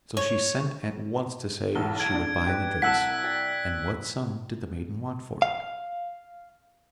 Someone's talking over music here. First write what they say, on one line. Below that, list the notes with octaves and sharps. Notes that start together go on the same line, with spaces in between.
So she sent at once to say she would buy the dress, and what sum did the maiden want for it.
C#5
B1 E2 G7
G#6 D7
D4
G4 B4
C2 F#5 A5 E6 F#6 B6
D5 G5
F5